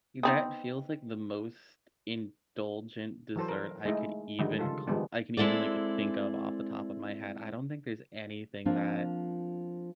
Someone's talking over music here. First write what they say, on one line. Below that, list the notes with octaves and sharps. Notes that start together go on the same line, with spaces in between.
Y that feels like the most indulgent dessert I could even comp I can even, like, think of, off the top of my head, I don't think there's anything that
B3 C4 D#4
E3 F#3 A4 C5
A#4
G#3 A3 D#4 E4
D3 D#3 F3 G3 G#3 D#4
C#3 F4 A4
D#3 F3 G3 G#3 B3 D4
G#3 C4 E4 A4 D5
F3 A#3 C4 D4 F4